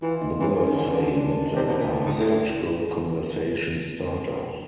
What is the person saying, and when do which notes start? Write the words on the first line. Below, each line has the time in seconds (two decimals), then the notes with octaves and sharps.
The girls say that they are such good conversation starters.
0.02 E3 F4
0.22 D#4
0.40 E3 C#4
0.53 D#3
0.66 D#3
0.75 D3
0.84 C#3
0.93 D3
1.17 D4
1.47 D#4
1.55 C3 D4
1.68 B2
1.80 A#2
1.93 A2
2.06 G#2
2.19 A2